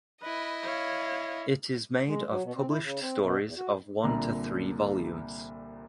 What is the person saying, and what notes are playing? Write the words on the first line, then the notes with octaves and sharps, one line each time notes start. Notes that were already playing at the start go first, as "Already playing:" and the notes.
It is made of published stories of one to three volumes.
E4 B4 D#5
C#5 F5
G#3
F#3
B2
C4
E4
C#3
C4
B2
E2
F#4
C2 A#2 D3 A#5